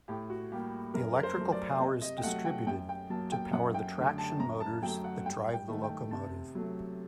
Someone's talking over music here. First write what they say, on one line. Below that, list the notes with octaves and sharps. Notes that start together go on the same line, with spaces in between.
The electrical power is distributed to power the traction motors that drive the locomotive.
A2 G4
F#4
G3 A#3 G4
F#2 A#4
A#4
C5
F#3 A3
D5
C3 D#5
D#5
G5
F#3 A3 F#5
G5
F#2 G5
G5
F#3 A#3 A5
G5
F#2 F#5
G5
D3 A3
A5
F#2 A#5
A5
F#3 A3 G5
F#5
G2 G5
G5
D#3 A3
G5
C3 A5
F#3 A3